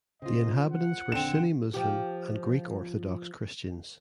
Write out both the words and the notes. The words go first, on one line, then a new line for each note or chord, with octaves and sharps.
The inhabitants were Sunni Muslim and Greek Orthodox Christians.
C#3 C4 F4 D#5
F#5
A#1 D3 D#3 C4 D4 E7
F3 G4